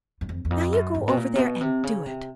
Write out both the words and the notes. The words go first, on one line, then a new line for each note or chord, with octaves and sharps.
Now you go over there and do it!
F#2
F2
E2
F2
F#2
G#2
B2
A#2
C3
B2
C3
C#3
C3